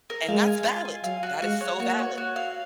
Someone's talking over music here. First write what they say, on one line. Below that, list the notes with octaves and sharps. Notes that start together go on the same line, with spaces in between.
And that's valid. That is so valid.
A#4
G#3 F5
G#5
F4
G#5
F#3 F5
F#4
G#3 F#4
C#5
A#3 F#4
C#5
F#4
F5